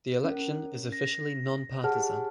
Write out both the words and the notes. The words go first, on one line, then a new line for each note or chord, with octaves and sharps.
The election is officially nonpartisan.
C#4 A#4
A#6
G4 G#4 C#5 F#5 A5 F6